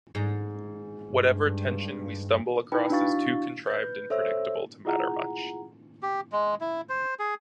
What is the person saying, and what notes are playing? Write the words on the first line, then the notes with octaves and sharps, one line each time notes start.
Whatever tension we stumble across is too contrived and predictable to matter much.
G#2
G2
D#4 E4 B4 G5 A5 B5
D4 E4 F#4 F5 C#6 A6
B4 G6
A4 C5 C#5 E5 E6
E4 F4 G#4 F#5 A#5
G4
G#3
E4
C5
G#4